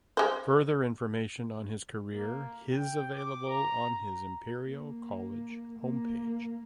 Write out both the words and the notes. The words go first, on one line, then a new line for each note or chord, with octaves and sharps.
Further information on his career his available on his Imperial College Homepage.
G#3 C5
A#3
G5
D6
A#5
A#5
A#3
A#3